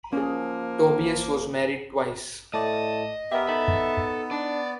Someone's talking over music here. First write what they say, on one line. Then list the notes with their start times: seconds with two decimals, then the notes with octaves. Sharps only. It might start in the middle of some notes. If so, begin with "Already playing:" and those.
Tobias was married twice.
0.13 F3 A#3 C#4 G#4
2.54 A2 A3 D5 D#5 A5
3.32 B3 G4 A#4 E5
3.48 D#4 A4 B5
4.31 D4 D5